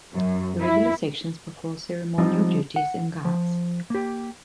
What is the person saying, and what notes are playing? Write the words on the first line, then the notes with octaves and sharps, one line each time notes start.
The regular sections perform ceremonial duties and guards.
F#2
E4
F3 G3 C4 D#4
F#5
F3
A#3 G4